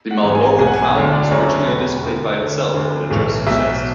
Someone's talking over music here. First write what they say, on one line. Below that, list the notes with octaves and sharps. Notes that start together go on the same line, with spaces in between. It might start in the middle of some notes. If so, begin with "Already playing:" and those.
The Marlborough crown was originally displayed by itself on the jersey chest.
F#5
G#1 G#2 E3 F#5
G#5
G#5
B1 B2 G#5
F#5
G#5
D2 D3 C#5
D5
F#1 F#2 D3 C#5
C#5
E1 E2 B2 B4
D2 D3
D2 D3 C#5
D2 D3
B1 A2 E3
B1 B2 E5